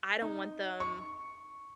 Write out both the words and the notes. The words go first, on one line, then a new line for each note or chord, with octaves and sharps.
I don't want them
D#4
C#6